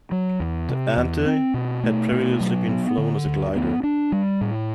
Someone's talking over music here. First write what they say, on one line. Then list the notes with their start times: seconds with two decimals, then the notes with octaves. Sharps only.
The Ente had previously been flown as a glider.
0.12 F#3
0.40 E2
0.69 C3
0.97 E2
1.26 C4
1.54 B2
1.83 A3
2.12 B2
2.40 F#3
2.69 B3
2.98 D3
3.26 D2
3.55 B3
3.83 D4
4.12 G3
4.41 A2